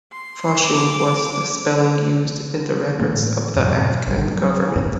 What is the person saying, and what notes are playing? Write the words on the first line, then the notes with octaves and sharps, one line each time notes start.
Fushing was the spelling used in the records of the Afghan government.
C6
D6
A2 E3 G#3 A#3
F2 G#2 B2 F#3
A#1 G#2 G3
F#3
B1 G2 D#3 C#4